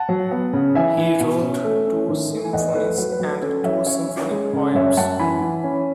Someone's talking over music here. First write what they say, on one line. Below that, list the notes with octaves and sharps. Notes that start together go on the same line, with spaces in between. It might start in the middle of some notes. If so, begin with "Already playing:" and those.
He wrote two symphonies and two symphonic poems.
Already playing: F#5 A5
F#3
B3
C#3
E3 E5 G#5
E3
B2
C#4
A3
C#4
D#3
A3
G#5
E2 D#5 F#5
A3 B4
F#3 B4
B4
F#3
B4
C#4 A4 C#5
F#3 C#5 E5
C#4 C#5 E5
C#4
G#3
C#3
F#2 C#5 E5
F#2 F#5 A5
E3 G#5 B5
E3
C#4